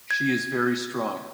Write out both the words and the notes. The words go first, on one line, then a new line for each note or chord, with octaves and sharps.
She is very strong.
G#6